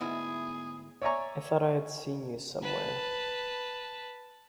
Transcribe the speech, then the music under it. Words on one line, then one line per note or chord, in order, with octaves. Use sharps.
I thought I had seen you somewhere.
D2 G#2 B3 E4 G#4
C#5 D5 E5 G#5 A#5 C#6
B4 A5